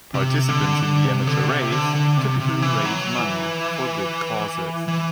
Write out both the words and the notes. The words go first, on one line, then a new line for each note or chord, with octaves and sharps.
Participants in the amateur race typically raise money for good causes.
C3
D3
D3
C3
D3
C3
D3
D3
C3
C3
E3
F#3
E3
E3